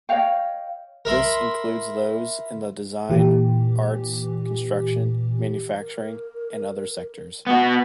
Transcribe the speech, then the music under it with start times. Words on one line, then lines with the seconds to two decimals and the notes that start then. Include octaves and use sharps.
This includes those in the design, arts, construction, manufacturing and other sectors.
0.09 C#5 D#5 F5 G5
1.05 A#4 E5 B5 C6
3.09 A#2 E3 G4
5.81 A#4
7.47 B3 F#4